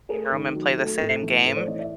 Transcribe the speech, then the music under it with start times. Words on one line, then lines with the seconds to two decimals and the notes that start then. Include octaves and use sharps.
in a room and play the same game,
0.09 A3 G#4 A#4
0.32 D#3
0.55 F#3
0.78 A3
1.00 A2
1.23 E3
1.45 A2 A4 B4
1.56 C5 D5
1.67 E3 C#5 D#5
1.79 D5 E5